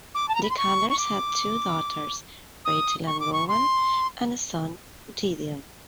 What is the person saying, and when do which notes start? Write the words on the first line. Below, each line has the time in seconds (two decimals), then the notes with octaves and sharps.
The Calders had two daughters, Rachel and Gowan, and a son, Gideon.
0.14 D6
0.28 A5
0.35 A#5
0.43 B5
0.50 C6
0.57 C#6
0.90 C#6
0.98 D6
2.65 D#6
3.07 C#6
3.20 D6
3.33 C#6
3.48 C6